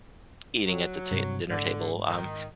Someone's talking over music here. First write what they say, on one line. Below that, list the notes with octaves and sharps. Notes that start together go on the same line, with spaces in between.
eating at the ta dinner table. Um,
F#3
G2 C3
G#2 D3
D#3